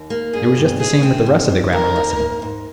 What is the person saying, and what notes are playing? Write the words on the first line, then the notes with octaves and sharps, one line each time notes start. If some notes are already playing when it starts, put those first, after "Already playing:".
It was just the same with the rest of the grammar lesson.
Already playing: D#2
A#3
G2 G#4
G2
D2 G#4
C4
G#2
G#2
D#2 A#4
A#3
G#2
G#2